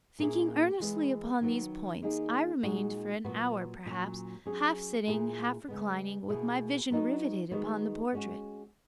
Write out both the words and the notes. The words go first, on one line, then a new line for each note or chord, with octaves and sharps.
Thinking earnestly upon these points, I remained, for an hour perhaps, half sitting, half reclining, with my vision riveted upon the portrait.
A#2 A#3 C#4 E4 G#4
E3 G#3 B3
D#3 F#3 B3
D#3 A#3 D#4 G#4
A#2 G#3 D#4 F#4
A#2 F#3 B3 F#4
A#2 F#3 C#4
F#3 C#4 G#4
A#2 A#3 E4 G#4
C#3 G#3 B3
B2 A#3 E4 G#4
F#3 B3 D#4 F#4
D#3 G#3 B3 F#4
G#3 C#4 F#4